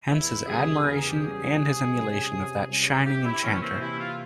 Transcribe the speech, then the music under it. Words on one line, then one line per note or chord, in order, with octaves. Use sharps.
Hence his admiration and his emulation of that shining enchanter.
E2 E4
C#3 G3 G#4
E2 A#4
G#4
G4
C#3 G3 G#4
C3
G3 C#4
C3
G3 C#4
C3 G4
E4
E3 A#3 C#4
C4
C3 E4
F4